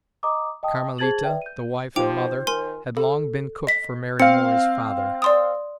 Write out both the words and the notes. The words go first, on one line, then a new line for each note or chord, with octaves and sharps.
Carmelita, the wife and mother, had long been cook for Mary Moore's father.
D#5 A#5 D6 D#6
D#5 G5 A5 D#6
G#4 C5 A5 G#6 A6 F#7
B4 D5 E5 G5
G6 D#7
F3 D#4 F4 G4 C5 G5 D6 F7
D#3 A#4 G#5 C6
A4
D#5 B6
C4 F5 C#7
D5 C6 D#6